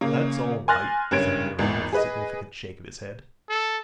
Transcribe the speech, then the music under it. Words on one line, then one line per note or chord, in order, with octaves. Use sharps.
"That's all right," said Nero, with a significant shake of his head.
C#3 A#3
G#5 C6 F6 F#6 A6 A#6
F#1 G2 C#4 G#6 D7
G#1 E2
G#4 B4 D#5
A4